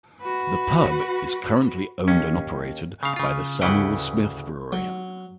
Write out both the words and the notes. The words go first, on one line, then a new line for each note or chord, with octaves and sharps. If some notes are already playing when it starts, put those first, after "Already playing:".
The pub is currently owned and operated by the Samuel Smith Brewery.
F#4 B4
D#2 C#4
C#3 F5
C#3 F4
D2 C#3 E3 B4 F#5 G5
F#3